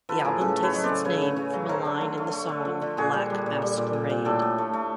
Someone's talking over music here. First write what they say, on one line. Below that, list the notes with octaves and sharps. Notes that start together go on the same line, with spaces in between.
The album takes its name from a line in the song "Black Masquerade".
F3 A4 B4
A2 G#4 A#4
C#3 A4 B4
A3
B4 C#5
F#3 D#5
C5 D5
C#3
C#3 B4 C#5
C#3
C#3
F#3
A3 A#4 C5
D3
A3
A3
A3
D3
F3
D3
A#2 F#4 G#4
G3
G3
A#2
G3
A#2
A#2
A#2
A2 G4 A4
A2
A3
A3